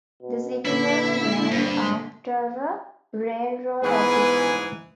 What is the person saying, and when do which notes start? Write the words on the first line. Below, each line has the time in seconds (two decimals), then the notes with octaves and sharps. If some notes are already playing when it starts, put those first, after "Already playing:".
The city was named after a railroad official.
0.22 B2
0.65 A#2 D3 E4 B4
1.51 G2 C4
3.83 G#2 E3 B3 G#4 B4